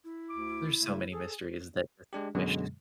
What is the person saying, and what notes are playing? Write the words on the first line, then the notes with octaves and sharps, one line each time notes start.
There's so many mysteries that I wish
E4
D2 D6
C#3 A3
G#4 A4
G#3 D4 G4
F#2 B2 D3 F#3 G#3